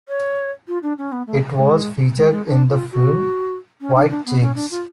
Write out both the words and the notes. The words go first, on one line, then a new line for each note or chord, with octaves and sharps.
It was featured in the film "White Chicks".
C#5
F4
D4
C#4
B3
A3
G#3
G#3
G#3
D4
F4
F#4
C#4
D4
D4
B3
C#4
D4
F4